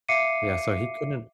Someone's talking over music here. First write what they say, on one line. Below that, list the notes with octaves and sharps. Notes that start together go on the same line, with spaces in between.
Yeah, so he couldn't
E5 F5 D6 C7 C#7 D#7